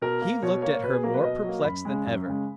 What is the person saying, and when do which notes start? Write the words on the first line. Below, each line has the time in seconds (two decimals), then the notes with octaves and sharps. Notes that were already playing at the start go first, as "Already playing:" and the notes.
He looked at her more perplexed than ever.
0.02 B2 A#4
0.22 A#3
0.42 B2 C#5
0.62 A#3 C#5
0.83 B2 B4
0.93 G#4
1.03 F#3 A#3 A#4
1.14 B4
1.24 B2 D#5
1.44 F#3 A#3
1.64 F#2 B5
1.85 C#3 G#3
2.06 F#2
2.25 C#3 G#3